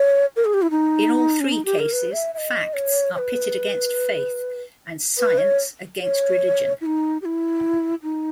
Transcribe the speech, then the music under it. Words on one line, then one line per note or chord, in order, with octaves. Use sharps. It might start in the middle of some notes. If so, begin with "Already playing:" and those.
In all three cases, facts are pitted against faith and science against religion.
Already playing: C#5
A#4
G#4
G4
E4
D#4
C#4
D#4
G4
A#4
B4
E5
E5
D#5
C#5
C#5
B4
B4
C#5
C#5
E4
D#4
G4
E4
D#4